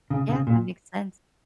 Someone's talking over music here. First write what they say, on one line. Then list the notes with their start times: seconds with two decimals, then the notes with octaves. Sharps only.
Yeah, that makes sense.
0.10 C#3
0.29 C#3
0.47 A#2